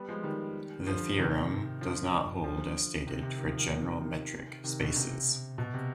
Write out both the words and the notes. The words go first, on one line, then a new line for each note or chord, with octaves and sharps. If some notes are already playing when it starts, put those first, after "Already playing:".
The theorem does not hold as stated for general metric spaces.
Already playing: G3 B3
F3 G#3
D#3 G3
D3 F3
C3 D#3
D3 F3
D3 F3
C3 D#3
C3 D#3
D#3
F3
D#3
F3
C3 D#3
C3 D#3
C3 D#3
B2 D3
C3
B2
C3